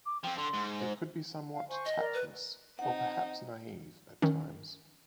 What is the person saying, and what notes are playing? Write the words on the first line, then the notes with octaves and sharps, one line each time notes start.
It could be somewhat tactless, or perhaps naive, at times.
D6
F3 C4 G5
D3 C6
G#2
C5
F5
C5 G#5 C#6
D#5
A#4 D5
B4
C4 D#4 F#5
D#3 C#4